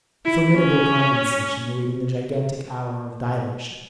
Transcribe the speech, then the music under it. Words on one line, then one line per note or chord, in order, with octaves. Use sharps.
A formidable condensation, awaiting the gigantic hour of dilation!
E4
C#4